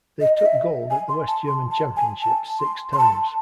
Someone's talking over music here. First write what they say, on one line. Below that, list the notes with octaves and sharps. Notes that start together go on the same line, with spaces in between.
They took gold at the West German Championships six times.
D#5
D#5
E5
G#5
C6
A5
C6
A5
G#5
A5
C6
C6
A5